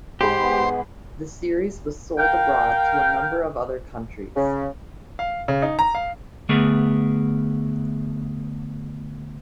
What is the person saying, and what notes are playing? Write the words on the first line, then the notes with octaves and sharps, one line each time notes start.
The series was sold abroad to a number of other countries.
G#2 G4 G#4 C5 B5
B3
A#4 F5 G5
C#3
F5
C#3
D#4
A#5
F5
D3 A3 B3 G#4 A#4